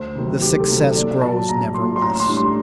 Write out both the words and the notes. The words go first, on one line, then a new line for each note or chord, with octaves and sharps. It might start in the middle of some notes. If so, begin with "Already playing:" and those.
The success grows never less.
Already playing: D2 C5
C3 D#3 F#3 C4
D2 G4
A4
C3 D#3 F#3 C4
A4
A#1 D5
A#2 F#3 A5
A#1 A#5
A#2 F#3 C6
C6
A1 A#5
C6
A2 G3 D4
C6